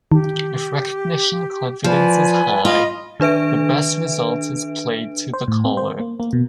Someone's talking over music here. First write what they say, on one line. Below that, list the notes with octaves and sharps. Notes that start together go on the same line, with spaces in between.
If recognition confidence is high, the best result is played to the caller.
D#3 G4
F3 B4 D5 G#5
F4 D#5 B5 D#6
D#3 D4 B4 E5 D7
C5
A2
C4
C5
A#3
A#3
B2